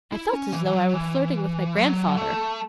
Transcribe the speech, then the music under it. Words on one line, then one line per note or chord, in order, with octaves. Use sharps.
I felt as though I were flirting with my grandfather.
E4
C#4
E3
E3
F#3
E3
F#3
A3